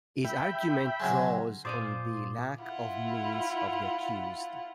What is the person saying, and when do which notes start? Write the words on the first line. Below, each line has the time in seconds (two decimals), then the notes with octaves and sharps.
His argument draws on the lack of means of the accused.
0.25 E5 G5 B5
1.00 C#3 F#3 G#3
1.65 A#2 F4 C5 D5 G#5 D6 D#6
2.60 E4 F4 F#5